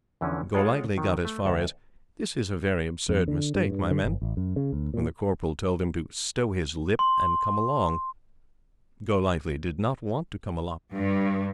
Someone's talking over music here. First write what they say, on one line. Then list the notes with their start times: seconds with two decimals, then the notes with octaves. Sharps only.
Golightly got as far as--"This is a very absurd mistake, my men," when the Corporal told him to "stow his lip" and come along. Golightly did not want to come along.
0.21 E2 D3 E3 F3 C#4
0.54 G#3 F4 G#4 C#5 F5 F#5
0.98 D#3 F#3
1.25 A3
1.45 D2 F#5 A5
3.09 F2
3.28 D3
3.55 G2
3.72 G2
3.91 D3
4.04 G1
4.22 A1
4.37 F#2
4.56 C#3
4.73 D2
4.94 A#2
6.99 C6
10.95 G2